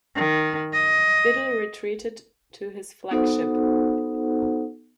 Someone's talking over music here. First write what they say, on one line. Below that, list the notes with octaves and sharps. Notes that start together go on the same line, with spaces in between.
Biddle retreated to his flagship.
D#3
D#5
B3 D#4 F#4 A4 C5 F#5